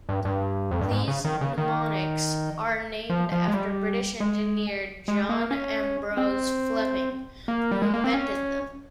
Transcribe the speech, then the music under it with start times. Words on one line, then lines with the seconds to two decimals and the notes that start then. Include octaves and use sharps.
These mnemonics are named after British engineer John Ambrose Fleming, who invented them.
0.09 G2
0.25 G2
0.71 F2
0.81 G2
0.91 G#2
1.08 C#3
1.25 D#3
1.41 C#3
1.58 D#3
3.10 F3
3.32 F3
3.48 G#3
3.54 G3
4.20 G#3
5.08 G#3
5.29 A#3
5.51 C#4
6.17 C4
7.48 A#3
7.71 G3
7.82 G#3
7.94 A#3
8.04 C4
8.13 C#4